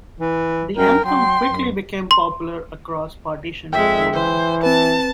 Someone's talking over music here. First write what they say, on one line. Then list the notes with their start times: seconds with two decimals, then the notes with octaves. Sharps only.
The anthem quickly became popular across partitioned Poland.
0.20 E3
0.77 F#2 A#4 G5
1.05 F#3 G5 C6
1.46 F#2
2.11 C6
3.73 F2 G#3 E5 G5
4.14 E3 C5
4.63 C4 B4 A5